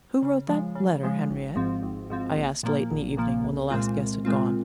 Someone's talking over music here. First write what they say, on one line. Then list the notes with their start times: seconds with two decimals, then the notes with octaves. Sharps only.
"Who wrote that letter, Henriette?" I asked late in the evening when the last guest had gone.
0.22 C#3
0.49 F3 G#3
0.75 C#3
1.03 F3 G#3
1.30 G#1
1.56 G#2 F3 C4
1.83 G#1
2.10 G#2 F3 C4
2.37 A#1
2.63 A#2 F3 A#3
2.91 A#1
3.17 A#2 F3 A#3
3.44 C2
3.70 A#2 G#3 C4 F4
3.97 C2
4.25 A#2 G#3 C4 F4